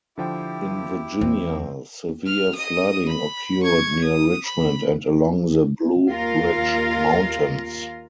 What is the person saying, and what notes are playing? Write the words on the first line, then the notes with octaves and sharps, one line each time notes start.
In Virginia, severe flooding occurred near Richmond and along the Blue Ridge Mountains.
D3 F3 E4 G4 G5
E2 C4
F6
D#5 D#6
B5
C#6 G#6
D#6
B5
D#2 F4 A#4 F5